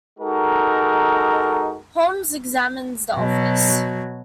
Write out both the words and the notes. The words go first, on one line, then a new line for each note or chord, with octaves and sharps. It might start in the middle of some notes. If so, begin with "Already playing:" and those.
Holmes examines the office.
G#3 D#4 F#4 A4 A#4
B2 F#3